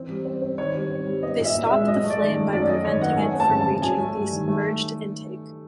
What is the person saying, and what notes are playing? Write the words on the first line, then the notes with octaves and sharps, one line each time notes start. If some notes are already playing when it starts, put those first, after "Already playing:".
They stop the flame by preventing it from reaching the submerged intake.
Already playing: E3 C4
G3
C4
C4
D#3 C#5
G3
C4
G3
B3 D#5
A#2
E5
A#2
E5
G#3
F#3 D#5
A3
D5
D#3
A3
F#2 D5
F#3 D#5
D#3 C#5
B3 F#5
A3 G#5
C4
A5
C#3
A5
C#3
F#3 G#5
A3
G2
D#3
A3